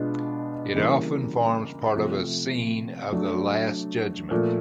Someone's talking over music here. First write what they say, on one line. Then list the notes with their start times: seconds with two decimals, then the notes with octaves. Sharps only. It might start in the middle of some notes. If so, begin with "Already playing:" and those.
It often forms part of a scene of the Last Judgement.
Already playing: B2 G#3 B3 D4 F4
0.74 C#3 E3 G3 A#3
1.94 C3 F3 A3
3.12 F#3 A3 D4
4.31 A#2 F3 A3